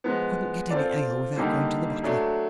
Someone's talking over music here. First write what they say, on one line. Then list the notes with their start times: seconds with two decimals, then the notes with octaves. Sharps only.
I couldn't get any ale without going to the butler.
0.04 F3 G#3 B3
0.70 C4 F4 A4 D5
1.37 D3 G3 A#3 D#4 G4
2.03 F#3 A3 D4